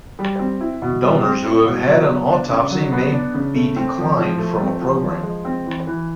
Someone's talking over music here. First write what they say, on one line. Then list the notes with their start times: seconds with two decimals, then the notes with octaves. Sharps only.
Donors who have had an autopsy may be declined from a program.
0.19 G3
0.39 C4
0.61 E4
0.82 B2
1.03 G3
1.23 C4
1.45 E4
1.65 B2
1.87 F#3
2.08 B3
2.29 D4
2.50 C#3
2.71 F#3
2.92 B3
3.13 D4
3.34 C#3
3.55 A3
3.76 C4
3.98 F3
4.19 F3
4.39 A3
4.60 C4
4.81 F3
5.03 F3
5.23 G#3
5.45 C4
5.66 E3
5.87 E3